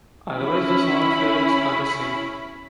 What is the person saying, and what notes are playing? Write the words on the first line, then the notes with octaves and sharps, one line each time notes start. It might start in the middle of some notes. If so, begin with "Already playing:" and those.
Otherwise, the song's lyrics are the same.
C#4 E4 B5